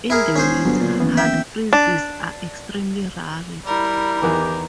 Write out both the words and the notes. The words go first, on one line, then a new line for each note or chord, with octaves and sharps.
In the winter, hard freezes are extremely rare.
E4 G#4 A#4
E1 C#4 G#4 C5
G1 F#3 B3
A#2
F#1 D#3 E3 B3
E5 G5
D4
G3 E4 A#4 B5
E2 D#3 E3 G4